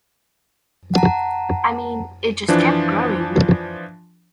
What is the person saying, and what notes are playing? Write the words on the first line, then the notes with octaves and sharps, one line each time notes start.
I mean, it just kept growing!
F#5 A5 A#5
E3 F3 D4